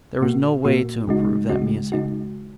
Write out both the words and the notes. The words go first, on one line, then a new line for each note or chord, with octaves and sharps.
There was no way to improve that music.
A#2 A#3 F#4
A#2 A#3 F#4
C#2 C#3 G#3 D#4 F#4
C#2 C#3 G#3 D#4 F#4
C#3 G#3 D#4 F#4